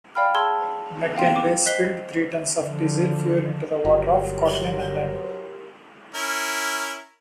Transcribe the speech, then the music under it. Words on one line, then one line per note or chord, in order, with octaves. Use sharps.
McKinley, spilled three tons of diesel fuel into the water off Kotlin Island.
D5 F5 G5 B5 F6
G#4 A5 C6 E6 G#6 G7
F5 G5 C6
D6
C5 D#5 F#6 B6 C7 G7
D3 F3
G1 F#3 F4 G4 A#4 C6
C#4 E4 A#4